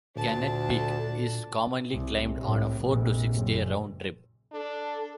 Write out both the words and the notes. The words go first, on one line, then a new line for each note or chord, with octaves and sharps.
Gannett Peak is commonly climbed on a four- to six-day round-trip.
D2 A#2 D4 A5
C2
C2 A2
F1 A#1
F#1
D4 A4